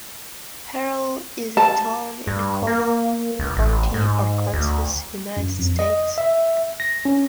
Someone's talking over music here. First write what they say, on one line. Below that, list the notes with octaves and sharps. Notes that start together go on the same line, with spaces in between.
Harrell is a town in Calhoun County, Arkansas, United States.
A5
G2
A#3
C#2
A1
G#2
D2
F#2
F2
D#5
E5
A#6
C#4